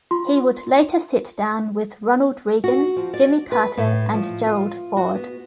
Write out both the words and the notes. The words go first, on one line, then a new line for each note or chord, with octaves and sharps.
He would later sit down with Ronald Reagan, Jimmy Carter, and Gerald Ford.
F4 C6
F#4
F3
D5
B4
A2
F3
F4
F#4
B3